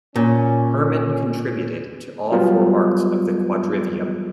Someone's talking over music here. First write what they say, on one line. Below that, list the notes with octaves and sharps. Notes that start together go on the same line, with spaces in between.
Hermann contributed to all four arts of the quadrivium.
A#2 C#4
F#3 G3 B3 F4